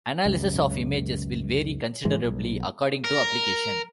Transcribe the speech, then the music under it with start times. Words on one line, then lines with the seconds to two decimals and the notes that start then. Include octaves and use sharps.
Analysis of images will vary considerably according to application.
0.26 C#2 F#2
2.05 G#1 G#2 E3 G#3
2.24 B1
3.04 A#4